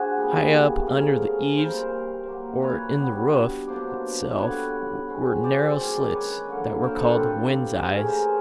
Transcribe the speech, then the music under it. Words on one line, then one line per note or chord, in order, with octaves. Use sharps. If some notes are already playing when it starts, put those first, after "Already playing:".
High up under the eaves or in the roof itself were narrow slits that were called wind's-eyes.
Already playing: D4 F#4 G#4 C5
A#2 G3 B3
C#3 F3 A3 C#4 G#4 A#4
A#2 G3 C4 A#4 C5
A#2 F#3 A#3
B4 C#5
B2 G3 B3 D4
B2 F#3 A#3 D4 C5 D5
D3 G3 B3 B4 C#5
B2 G#3 C4
C5 D5
D#3 G#3 C#4
B4 C#5
D3 F#3 A#3
A#4 C5
A4 B4
G4 A4
C3 F3 A3 C4
C#3 E3 A3 C#4 G#4 A#4
A#4 C5